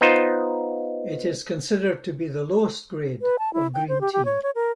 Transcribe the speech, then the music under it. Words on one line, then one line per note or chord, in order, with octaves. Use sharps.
It is considered to be the lowest grade of green tea.
B3 D#4 F4 C5
B4
A5
E4
G5
C5
G4
G4
C#5
C#5
A#4